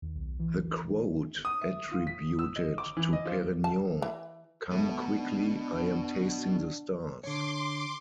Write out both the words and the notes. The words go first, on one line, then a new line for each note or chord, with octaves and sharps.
The quote attributed to Perignon-Come quickly, I am tasting the stars!
D#2
B1
E3
D#6
E5
F4
B6
E6
D#5
D6
E3
D#5
F3
A5
E3
B2 A3
D4
D3 C#5 C6 D6